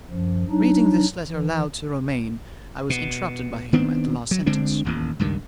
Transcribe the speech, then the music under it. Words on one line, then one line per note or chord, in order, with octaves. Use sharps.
Reading this letter aloud to Romayne, I was interrupted by him at the last sentence.
F#2 F3
F#3 D4 D#4
E3
B2
D#3 B3 C4 D4
F#3
D3 G#3 C4 D4
E1 A1 D#2
C#2 G2 D#3